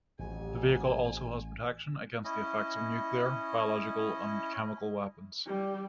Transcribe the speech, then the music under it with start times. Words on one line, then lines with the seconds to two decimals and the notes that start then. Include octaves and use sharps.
The vehicle also has protection against the effects of nuclear, biological and chemical weapons.
0.19 A1 F2 F#3 G4 G#5
2.24 C#4 E4 D#5
5.46 G3